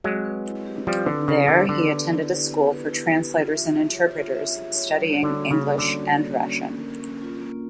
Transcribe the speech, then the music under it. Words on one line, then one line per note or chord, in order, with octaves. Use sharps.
There, he attended a school for translators and interpreters, studying English and Russian.
F#3 G#3 C4
B4
E4
G4
F3 G3 C4
D3 B4
C#3 E4
D3 G4
D3 B3
B4
E4
G4
B3
B4
E4
G4
F4
E5
G#4
C#5
F4
E5
G#4
C#5
G3
F#4
D3
A#3
C#3
C#4
D3 G3
F#4
A#3
C#4
A#3
A#4
C#4
F4
A#3